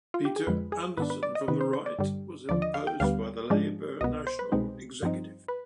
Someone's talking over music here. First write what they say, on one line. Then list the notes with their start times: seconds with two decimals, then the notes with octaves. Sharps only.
Peter Anderson from the right was imposed by the Labor national executive.
0.14 F4
0.25 G4
0.36 G#4
0.47 F2 D3 F3 G#3 B4
0.72 G#4
0.97 G#2 D#3 B3 D4 B4
1.10 B4
1.23 D5
1.35 D#5
1.48 C3 D#3 B3 D#4 B4
1.61 C5
1.73 C5
1.86 D5
1.99 G2 D3 G3
2.49 D#2 D3 F3 D5
2.62 D#5
2.74 F5
2.87 G5
3.00 D2 D3 G3 B3 F5
3.50 G#2 F3 G#3 D4
4.01 C2 B2 B3 D#5
4.27 C5
4.39 B4
4.52 C2 B2 G#3 C4 D#4
5.02 G2 F3 C4 D#4
5.48 B4